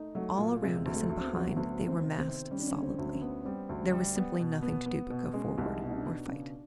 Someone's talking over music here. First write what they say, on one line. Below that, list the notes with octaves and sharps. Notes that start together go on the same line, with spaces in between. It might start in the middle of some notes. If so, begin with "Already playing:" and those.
All around us and behind they were massed solidly--there was simply nothing to do but go forward--or fight.
Already playing: A3 D#4
F#3 A3
A#2
C3 G#3
D2
A3
D2
C4
B3
F#3
D2 B3
D#3
C4
C3
C4
D#3
G3 C#4
D4
C#4
D3
C4
D2
C#4
B3
G3 C4
D2
G3
B3
B2
B3
B3
B2
G#3 C#4
C2
D#4
B2
D#4
D4
B2
C#3 D4